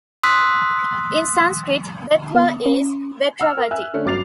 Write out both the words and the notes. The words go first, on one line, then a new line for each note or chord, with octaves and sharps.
In Sanskrit "Betwa" is "Vetravati".
C6 D#6 E6 F#6 B6
B3
C#4
F#5 E6 F6
A#4
E5 G#5 E6 F#6
D3 A3 C#4 D4
G1 F#3 D6 A6 C7 F7